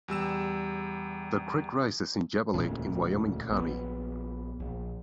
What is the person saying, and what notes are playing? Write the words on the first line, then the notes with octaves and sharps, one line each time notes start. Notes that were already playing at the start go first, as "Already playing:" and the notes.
The creek rises in Java Lake in Wyoming County.
E2 G3 E6 E7
E1 D2 A#2 C#4
A#1 B3
A#1